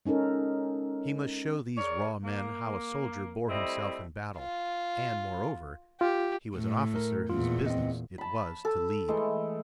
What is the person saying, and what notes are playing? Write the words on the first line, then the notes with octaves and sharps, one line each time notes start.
He must show these raw men how a soldier bore himself in battle, and, moreover, he was an officer whose business it was to lead.
G#3 C#4 D#4 A4 A#4
G#4 A#4 C#5 D5
A#3
G3 A3 C4 E4 D#5
F4
F4 G4
A2
A#4
E2 A#2 F4
C4 D#5
A5 B5
A4
E3 G#3 A3